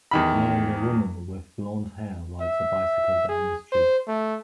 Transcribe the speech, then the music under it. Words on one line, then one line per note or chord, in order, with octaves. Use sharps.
An older woman with blondhair rides a bicycle down the street.
E2 D#3 B5
E5
G#4
C5
A3